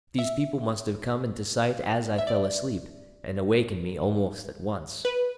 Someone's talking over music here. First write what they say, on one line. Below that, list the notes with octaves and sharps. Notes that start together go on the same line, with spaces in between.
These people must have come into sight as I fell asleep, and awakened me almost at once.
E5
E5
D5
B4